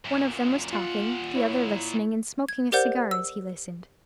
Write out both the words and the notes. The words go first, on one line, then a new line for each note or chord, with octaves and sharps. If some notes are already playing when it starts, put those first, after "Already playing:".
One of them was talking, the other listening, and smoking a cigar as he listened.
F#2 A#2
A#2 F4 F#5
E4 C#5
G#6
G4 A#4 C5 D5 F#5 G6
E6